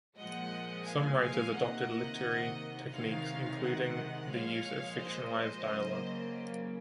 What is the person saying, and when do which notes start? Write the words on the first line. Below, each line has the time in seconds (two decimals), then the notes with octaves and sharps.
Some writers adopted literary techniques, including the use of fictionalized dialogue.
0.16 A#2 F3 G#3 D#5 F#5
0.85 F5 G#5
1.20 F5 G#5
1.54 C3 D#3 A#3 D#5 F#5
2.92 C3 D#3 G#3 C#5 F5
3.62 D#5 F#5
4.30 A#2 F3 G#3 C#5 F5
5.00 C5 D#5
5.68 C#3 F#3 A#3